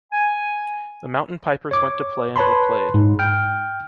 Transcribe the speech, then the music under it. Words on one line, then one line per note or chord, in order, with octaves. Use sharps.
The mountain pipers went to play and were played.
G#5
C#5 D6
B4 C#5 A5 B5 C6
G#2
G5 F6